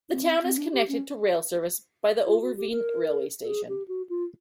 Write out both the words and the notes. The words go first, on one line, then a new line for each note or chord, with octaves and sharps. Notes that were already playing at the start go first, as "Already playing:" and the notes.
The town is connected to rail service by the Overveen railway station.
C4
C4
D4
G4
C#4
F4
F#4
G4
A#4
A4
G#4
G4
F#4
F4